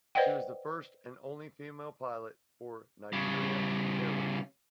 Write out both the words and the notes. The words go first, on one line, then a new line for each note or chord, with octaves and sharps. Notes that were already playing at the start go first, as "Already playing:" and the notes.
She was the first and only female pilot for Nigeria Airways.
B4 C5 D5 D#5 F#5 G5
C#3 G3